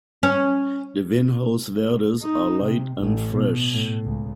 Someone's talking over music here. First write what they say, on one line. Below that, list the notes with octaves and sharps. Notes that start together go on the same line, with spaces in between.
The Vinhos Verdes are light and fresh.
C#4
D#4
C3
A1
B2
A2
C#2